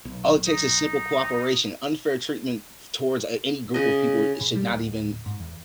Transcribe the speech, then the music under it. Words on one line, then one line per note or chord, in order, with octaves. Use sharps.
All it takes is simple cooperation. Unfair treatment t towards a any group of people, it should not even
B1
D#4
C#3 D#5
B2
G3
D1
G#2
E2